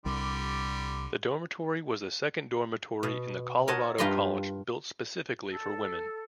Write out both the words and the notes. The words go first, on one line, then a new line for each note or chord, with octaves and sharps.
The dormitory was the second dormitory in the Colorado College built specifically for women.
C2 D3 G3
B2
A#4 C#5 D#5 F#5 A5
G2 F4 G4 B4 A#5 C6
A4